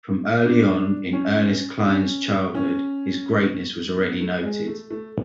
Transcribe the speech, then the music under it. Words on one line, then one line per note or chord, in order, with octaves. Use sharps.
From early on in Ernest Klein's childhood, his greatness was already noted.
D4
C#4
C#4
C#4
B3
A3
G#3
A3
A3